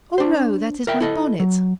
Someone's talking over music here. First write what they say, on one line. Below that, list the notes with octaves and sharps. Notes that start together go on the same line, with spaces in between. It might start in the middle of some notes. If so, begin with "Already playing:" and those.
'Oh no! that is my bonnet.
D4 C5
A#4 E5 G5
E4 A4 D#5
F#3